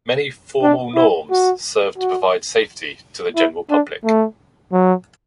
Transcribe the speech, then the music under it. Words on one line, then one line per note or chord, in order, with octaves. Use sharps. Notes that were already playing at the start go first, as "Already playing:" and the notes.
Many formal norms serve to provide safety to the general public.
D4
E4
F#4
F#4
E4
D4
A3
F#3